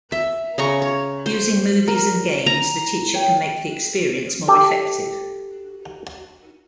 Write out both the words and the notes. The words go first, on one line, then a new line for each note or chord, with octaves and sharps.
Using movies and games the teacher can make the experience more effective.
E5
C#3 A#5 C#6
C#5
C5
A#4
A#5
C#5 G5
G4 A4